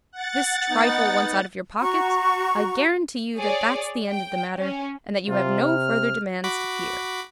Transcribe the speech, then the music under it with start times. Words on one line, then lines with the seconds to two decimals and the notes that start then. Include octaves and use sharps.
This trifle once out of your pocket, I guarantee you that that's the end of the matter, and that you have no further demands to fear.
0.12 F#5 A6
0.70 B3 D#4
1.80 F#4 A#5 C#6
3.37 G#4 C#5 D5
4.09 G5
4.59 C#4
5.29 C3 F4
5.61 F6
6.44 F#4 B5 D6